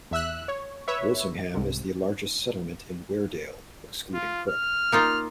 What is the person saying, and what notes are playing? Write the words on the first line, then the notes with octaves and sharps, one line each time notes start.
Wolsingham is the largest settlement in Weardale, excluding Crook.
E2 E5 E6 F#6
C#5
B4 C#5 E5
C2 G#2 C3
F4
F6
A#3 D#4 F4